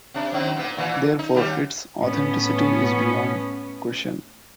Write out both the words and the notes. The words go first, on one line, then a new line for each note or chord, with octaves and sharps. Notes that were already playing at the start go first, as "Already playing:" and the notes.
Therefore, its authenticity is beyond question.
C3 D4
F#2 D#3 C4
A#2 B3
A#2 E3
D#4
D#2 G3 G4
A2 B3 C#4